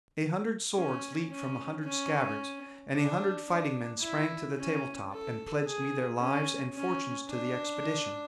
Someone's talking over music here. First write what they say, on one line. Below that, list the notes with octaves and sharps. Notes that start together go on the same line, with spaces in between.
A hundred swords leaped from a hundred scabbards, and a hundred fighting-men sprang to the table-top and pledged me their lives and fortunes to the expedition.
C#4
C#4
C#4
D4
D4
E4
C#4
A4
G#4
C#4
C#4
D4